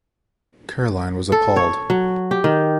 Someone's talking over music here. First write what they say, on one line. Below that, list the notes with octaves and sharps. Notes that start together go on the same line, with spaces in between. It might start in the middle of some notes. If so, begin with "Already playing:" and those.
Caroline was appalled.
A4
C#5
F#3
G4
D#3